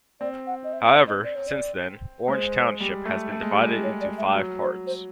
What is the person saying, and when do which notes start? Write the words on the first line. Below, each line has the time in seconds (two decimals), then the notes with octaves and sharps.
However, since then, Orange Township has been divided into five parts.
0.20 C4 D5
0.47 F#5
0.64 D#5
0.73 E5
0.90 E5
1.07 D#5
1.24 D5
1.36 C#5
1.47 D5
2.28 G#3 C5
2.80 G3
3.05 A3
3.32 A3
3.41 G#3
3.51 G3
3.61 G#3
3.84 C#5
4.01 D5
4.18 E5
4.35 F#3
4.62 C5
4.87 C5